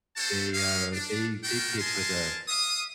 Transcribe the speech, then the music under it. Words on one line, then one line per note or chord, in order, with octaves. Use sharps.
they, uh, they they paid for the
C4 F#4 A4 C5 A5
G4 C#5 D#5 F5
D4
A3 F4 F#4 A#4 G5
A#4 D#5 G#5 A5 C6
E5 F5 D#6